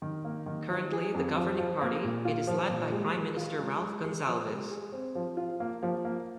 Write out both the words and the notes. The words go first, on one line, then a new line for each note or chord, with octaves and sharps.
Currently the governing party, it is led by Prime Minister Ralph Gonsalves.
D#3
A#3
D#3
F3
G#4
F2
F3
F3
A#3
A#2
F4
F3
A#2
G#3
G#3
F4
G#3
G#3
G#3
F3
G#3
G#4
C4
F3
F4
A#3
F3
A#3